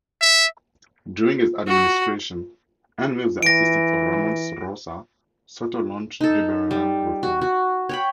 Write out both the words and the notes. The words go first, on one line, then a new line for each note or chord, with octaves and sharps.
During his administration and with the assistance of Ramon Rosa, Soto launched liberal reforms.
E5
F#4
E3 A#6 D7
D#4 A4
G3
F#4
F#4
C#5 G5 B5